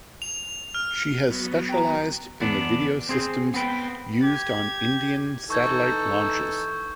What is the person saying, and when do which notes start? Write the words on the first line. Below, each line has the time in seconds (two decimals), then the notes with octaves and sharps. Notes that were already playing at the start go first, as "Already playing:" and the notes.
She has specialised in the video systems used on Indian satellite launches.
0.22 F7
0.74 F6
1.30 F#3 B3
1.69 G5 A#5
2.40 E2 B3 D4
3.09 C4 G#4 C5
3.54 B3 C4 B4 G5
4.22 G4 G#6
5.50 E3 D#4 A4 C#6 G6 G#6